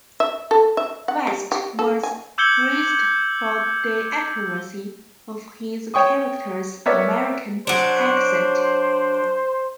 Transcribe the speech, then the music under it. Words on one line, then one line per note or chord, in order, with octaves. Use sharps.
West was praised for the accuracy of his character's American accent.
E5
A4
E5
F#5
G3
G4
A4
G#5
D6 E6 G6 G#6 C#7 G7
C#5 G5 C#6 D#6
B3 A#4 C#5 D5 E5
F#3 D4 C5